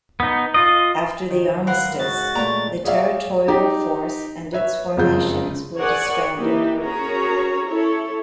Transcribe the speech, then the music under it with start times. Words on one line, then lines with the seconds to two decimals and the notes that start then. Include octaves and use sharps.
After the Armistice, the Territorial Force and its formations were disbanded.
0.20 B3 D#4
0.54 F4 D#5
1.30 D#3
1.67 G#2 A#4 B4 F5 F#5
1.99 C#3 G#3 F#4 A6
2.35 A#2 A3 A#5 C#6
2.84 G#4 C#5 D5 E5 F5
3.48 D#4 G4
4.52 B4 C#5 E5
4.97 F#1 F2 G#3 F4 G#4 G6
5.76 G#4 A#4 C#5 D5 F#5 G#5
6.37 E3 A#3 D#4 G4
6.83 C#4 F#4 G#4 A#4 C#5 A#5
7.68 E4 A4 C#5